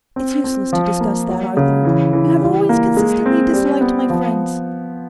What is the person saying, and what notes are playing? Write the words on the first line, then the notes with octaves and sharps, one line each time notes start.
'It's useless to discuss that, Arthur; you have always consistently disliked my friends.
C4
C4
F3
A#3
F#3
C#3
E3
E3
G3
A#3
G#3
C4
G3
B3
F3